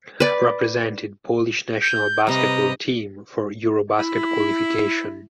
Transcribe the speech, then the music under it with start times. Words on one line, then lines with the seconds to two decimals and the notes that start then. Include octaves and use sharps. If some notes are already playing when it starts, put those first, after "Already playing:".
Represented Polish national basketball team for Eurobasket qualification.
0.20 B4 D5
1.82 G6
2.27 C3 G3 B4 D#5 A#5
3.98 E4